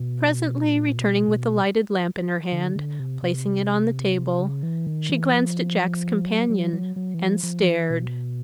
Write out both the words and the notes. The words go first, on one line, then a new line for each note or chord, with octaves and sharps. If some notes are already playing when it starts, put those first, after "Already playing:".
Presently, returning with the lighted lamp in her hand, placing it on the table, she glanced at Jack's companion--and stared.
Already playing: B2
A#2
B2
B2
D3
D3
C3
C3
C#3
E3
D#3
E3
F3
F#3
F#3
F#3
F#3
E3
F3
F3
E3
B2